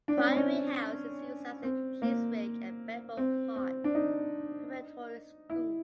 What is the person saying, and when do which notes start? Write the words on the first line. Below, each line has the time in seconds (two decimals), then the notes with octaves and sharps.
Priory House is used as the Chiswick and Bedford Park Preparatory School.
0.08 D4
0.17 C#4
0.27 C4
0.36 C#4
1.63 C4
2.02 A#3
3.17 C4
3.56 C4
3.84 D4
3.95 D#4
5.50 E4